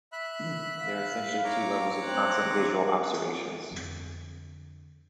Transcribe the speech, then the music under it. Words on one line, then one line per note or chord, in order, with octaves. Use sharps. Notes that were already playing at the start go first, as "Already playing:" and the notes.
There are essentially two levels of constant visual observations.
E5 B5 F#6
F5
C#5 A#5 D6
C4 F#6
F2 D3